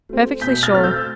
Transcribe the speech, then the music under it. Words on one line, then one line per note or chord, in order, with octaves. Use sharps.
"Perfectly sure."
A3 C4
B2 G6 B6
F6 A6
A3 C4 F6
E6 G6